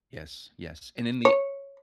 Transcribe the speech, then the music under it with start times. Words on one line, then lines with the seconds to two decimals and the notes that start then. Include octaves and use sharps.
Yes, yes. And in the
1.25 C#5